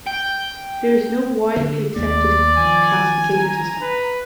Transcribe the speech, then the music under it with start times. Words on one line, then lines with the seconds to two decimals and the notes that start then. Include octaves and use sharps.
There is no widely accepted classification system.
0.06 G5
1.57 D3
1.96 D#2 A3 A#3 D5
2.57 D#3 F3 G#5
3.36 A#5
3.81 B4